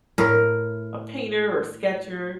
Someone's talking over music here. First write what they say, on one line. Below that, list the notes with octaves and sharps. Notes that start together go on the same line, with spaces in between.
a painter or sketcher,
A2 A#4